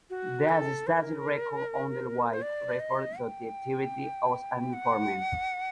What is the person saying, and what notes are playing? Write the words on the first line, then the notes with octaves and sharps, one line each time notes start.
The Stasi records on his wife referred to his activities as an informant.
F#4
A4
C5
A#4
C5
D5
D#5
G5
F#5